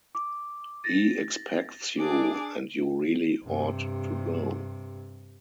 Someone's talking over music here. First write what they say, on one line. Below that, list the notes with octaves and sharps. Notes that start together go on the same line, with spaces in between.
He expects you, and you really ought to go.
D6
A6 A#6
D4 G#4 D6
G2 C3